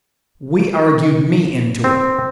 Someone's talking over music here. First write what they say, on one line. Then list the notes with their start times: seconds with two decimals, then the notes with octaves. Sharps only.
We argued me into it.
1.84 C4